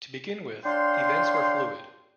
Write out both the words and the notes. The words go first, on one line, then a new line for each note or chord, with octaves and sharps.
To begin with, events were fluid.
D4 C#5 F5 G5 C6